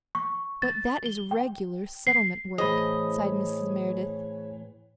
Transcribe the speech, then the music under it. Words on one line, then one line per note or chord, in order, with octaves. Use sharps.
"But that is regular settlement work," sighed Mrs. Merideth.
C#6
A6
G7
G5
C7
A2 E3 G#4 C5 C#5 D#5 B5